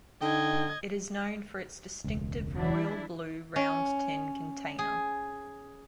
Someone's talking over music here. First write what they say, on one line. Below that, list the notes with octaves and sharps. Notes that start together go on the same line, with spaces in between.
It is known for its distinctive royal blue round tin container.
D3 D#4 D#5 G5 G#6
E1 C#2
E3 D4 E4
C#4
G#4